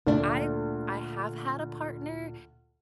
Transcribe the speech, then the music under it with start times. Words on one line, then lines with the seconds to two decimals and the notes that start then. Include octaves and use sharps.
I I have had a partner,
0.07 D2 A#2 A3 D4